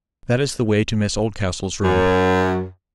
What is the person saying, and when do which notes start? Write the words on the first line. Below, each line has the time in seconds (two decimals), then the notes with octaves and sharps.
That is the way to Miss Oldcastle's room.
1.83 F#2